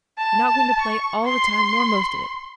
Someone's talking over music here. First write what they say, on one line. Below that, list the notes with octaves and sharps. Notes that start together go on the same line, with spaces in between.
You're not going to play all the time nor most of it.
A5
C#6
C6